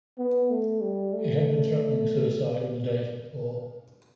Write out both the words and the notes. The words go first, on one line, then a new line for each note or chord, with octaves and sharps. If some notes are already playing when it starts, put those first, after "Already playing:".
He had been threatening suicide in the days before.
B3
A3
G3
A3